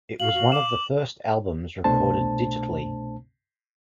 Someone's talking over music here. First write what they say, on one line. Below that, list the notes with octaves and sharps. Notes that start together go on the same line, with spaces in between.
It was one of the first albums recorded digitally.
F#4 F5 F#7
F#4
D6 E7
C2 B2 A3 D4 C5 A5